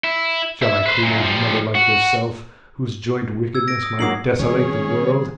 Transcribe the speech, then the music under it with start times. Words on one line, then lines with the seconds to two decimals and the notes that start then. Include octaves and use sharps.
Shall I create another like yourself, whose joint wickedness might desolate the world.
0.04 E4
0.62 E4 E5
0.86 B4 C5
1.03 F#2 A#2
1.23 F3 G3
1.75 F#4
3.55 E6 G#6
3.68 A#6 D7
3.83 D#6
3.99 G#2 F#3 A#3 D#6 C7 F#7
4.39 D#3 G3 C4 C#4 G#4